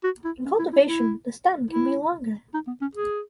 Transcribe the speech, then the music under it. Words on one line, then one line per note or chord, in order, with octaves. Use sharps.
In cultivation the stem can be longer.
F#4
E4
C#4
E4
E4
E4
E4
D#4
B3
C#4
G#4